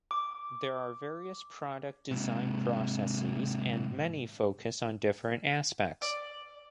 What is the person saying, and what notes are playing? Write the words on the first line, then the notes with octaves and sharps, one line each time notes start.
There are various product design processes and many focus on different aspects.
D6
G#2 C3
D5